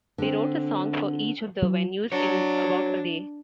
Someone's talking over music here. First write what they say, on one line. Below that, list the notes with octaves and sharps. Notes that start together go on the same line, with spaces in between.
They wrote a song for each of the venues in about a day.
D3 C4
F#3
D4 F#4 C#5